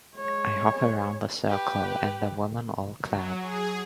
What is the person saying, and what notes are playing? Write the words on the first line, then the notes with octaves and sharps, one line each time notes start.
I hop around the circle and the women all clap.
G#3 C#5
G4 B4
F#3
G#4